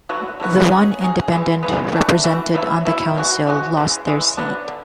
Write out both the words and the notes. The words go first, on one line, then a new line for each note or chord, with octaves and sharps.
The one independent represented on the council lost their seat.
D3 F#3 B3 F#4
D3 F#3 B3 F#4
F#3 C#4 G#4
F#3 C#4 G#4
E3 G#3 B3
E3 G#3 B3
E3 A3 D4 F#4
E3 A3 D4 F#4
B2 F#3 B3 E4
B2 F#3 B3 E4
B2 G#3 C#4 F#4
B2 G#3 C#4 F#4
C#3 E3 G#3
C#3 E3 G#3
D3 F#3 B3 D4
D3